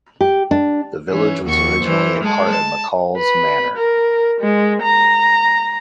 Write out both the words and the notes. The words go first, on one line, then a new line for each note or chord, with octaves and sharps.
The village was originally a part of McCall's Manor.
G4
D4
E3 C#4
D#2 F#4 C#6
E3 C5
G#3 A4
A5
B4
A#4
G#3
A#5